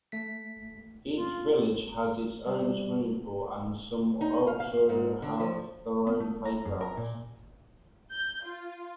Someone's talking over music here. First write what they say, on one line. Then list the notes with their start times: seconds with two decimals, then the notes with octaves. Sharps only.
Each village has its own swimming pool and some also have their own playgrounds.
0.12 A3 B6
1.15 F4
2.47 G3
4.21 D#4
4.47 F5
4.60 F5
4.89 G#2
5.22 D3
5.40 F3
6.07 B3
6.20 A3
6.45 A#5
6.65 F#2
6.81 A#4
6.97 A#2
8.11 G6
8.44 F4